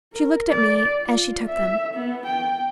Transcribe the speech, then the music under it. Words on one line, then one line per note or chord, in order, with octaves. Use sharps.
She looked at me as she took them.
A#4
D5
F4
E5
B3
G5